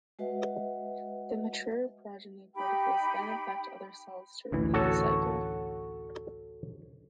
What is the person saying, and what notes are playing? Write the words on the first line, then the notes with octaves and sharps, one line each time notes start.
The mature progeny particles then infect other cells to repeat the cycle.
G#3 F#4 B4 D#5 E5 F#5
D#4 G4 G5 B5
A1 D2 E3
F#4 A4 C#5